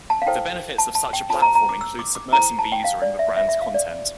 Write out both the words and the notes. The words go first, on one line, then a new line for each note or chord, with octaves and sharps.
The benefits of such a platform include submersing the user in the brand's content.
A5
F5
E4 A4 C5 G5
A5
A5
G5
F4 A4 C5 A5
A#5
A#5
D6
E6
D6
D6
E4 A4 C5 A#5
A5
G5
F5
D5
E5
F4 C5 E5
E5
F5
D5